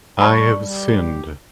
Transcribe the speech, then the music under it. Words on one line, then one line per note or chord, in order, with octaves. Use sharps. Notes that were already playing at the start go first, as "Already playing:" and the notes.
I have sinned.
G3 D5 A5 B5 C#6
G4